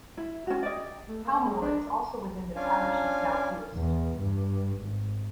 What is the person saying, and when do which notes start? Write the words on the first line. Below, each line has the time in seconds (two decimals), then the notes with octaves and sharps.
Howmore is also within the parish of South Uist.
0.17 E4
0.47 C#4 F#4
0.63 D5 D#5
1.07 A3
1.24 A#3
1.45 G#3
1.62 D4
2.56 C#4 D4 F4 F5 G#5
3.74 E2
4.18 G2
4.80 G#1